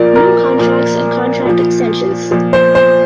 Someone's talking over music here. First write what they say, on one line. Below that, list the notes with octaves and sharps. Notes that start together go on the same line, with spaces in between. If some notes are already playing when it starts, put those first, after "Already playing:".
New contracts and contract extensions.
Already playing: A#2 F3 A#4 D5
A#4
A#2 F3
A#2 F3
A#2 F3
C5
C5